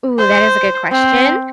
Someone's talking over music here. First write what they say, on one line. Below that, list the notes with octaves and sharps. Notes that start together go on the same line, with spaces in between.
Ooh, that is a good question.
C5
C4